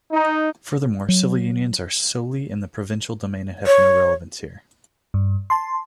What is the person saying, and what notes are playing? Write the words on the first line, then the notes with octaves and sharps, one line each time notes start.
Furthermore, civil unions are solely in the provincial domain and have no relevance here.
D#4
F#3
C#5
G2
A5 C6